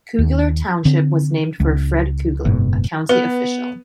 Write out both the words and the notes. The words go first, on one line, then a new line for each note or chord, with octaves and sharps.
Kugler Township was named for Fred Kugler, a county official.
D#2
D3 C4
C#2
F#1 G#2 B2
B3 B4